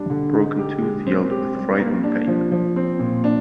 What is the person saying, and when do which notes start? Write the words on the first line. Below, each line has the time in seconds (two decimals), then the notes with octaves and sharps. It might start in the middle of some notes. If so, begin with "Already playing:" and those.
Broken-Tooth yelled with fright and pain.
Already playing: G3 D4
0.10 D3
0.34 D#4
0.58 G4
0.82 G#3
1.06 C4
1.31 G4
1.55 G3
1.79 A#3
2.03 D4
2.28 F3
2.52 F3
2.76 C4
2.99 A#2
3.24 D4